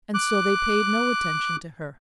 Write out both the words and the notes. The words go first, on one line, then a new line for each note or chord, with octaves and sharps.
And so they paid no attention to her.
D6 F#6